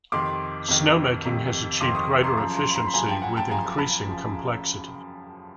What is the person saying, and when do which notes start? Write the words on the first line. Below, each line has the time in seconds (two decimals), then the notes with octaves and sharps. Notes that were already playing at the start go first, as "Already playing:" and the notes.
Snowmaking has achieved greater efficiency with increasing complexity.
0.12 F2 C3 D#3 C6 D6
0.68 F2 C3 D#3
1.25 F2 C3 D#3
1.81 F2 C3 D#3 C6 D6
1.95 C#6 D#6
2.23 A#5 C6
2.37 F#2 C#3 F3 A#5 C6
2.56 A#5 C6
2.71 B5
2.75 A#5 C6
2.87 B5
2.94 F#2 C#3 F3 G#5 A#5
3.08 G5 A5
3.22 F#5 G#5
3.37 G5 A5
3.51 F#2 C#3 F3 G#5 A#5
3.78 A5 B5
4.07 C#3 F3